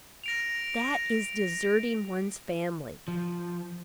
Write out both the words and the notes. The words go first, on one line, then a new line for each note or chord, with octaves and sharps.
That is deserting one's family.
A#6 D7 F7
F3